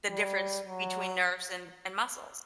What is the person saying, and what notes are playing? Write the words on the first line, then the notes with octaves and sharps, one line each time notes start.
the difference between nerves and and muscles.
G3
F#3